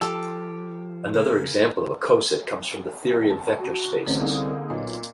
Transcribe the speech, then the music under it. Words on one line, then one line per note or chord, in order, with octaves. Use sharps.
Another example of a coset comes from the theory of vector spaces.
F3 G4 A4
C#3 A#3 A#4
A5
F#4
A1 D3 C4 C#4 C5
C2 A#3 D#4 G#4
B1 A#2 D#5